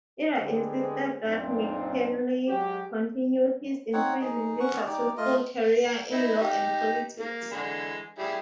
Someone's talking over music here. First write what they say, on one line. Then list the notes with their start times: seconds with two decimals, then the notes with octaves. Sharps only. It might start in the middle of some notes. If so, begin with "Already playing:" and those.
Ida insisted that McKinley continue his increasingly successful career in law and politics.
0.38 D3 G#3 B3 G4 G#4
1.24 B1 F#2 A#2 C4 D4 D#4
2.48 F#3 G#3 F#4 G4
3.93 C4 D#4 C#5 F#5
4.21 D#4 G#4
4.60 C#4 F#5 C#6
4.87 D#4 G4 D5
5.17 A3 F4 D#5
6.12 D#4 E4
6.41 D#4 G4
7.19 A#3
7.51 D3 E3 G#3
8.18 G3 E4 G#4